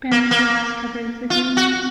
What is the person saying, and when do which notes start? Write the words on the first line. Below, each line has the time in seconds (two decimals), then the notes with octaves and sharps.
Bent grass covers the greens.
0.11 A#3
0.31 A#3
1.30 F4
1.57 F#4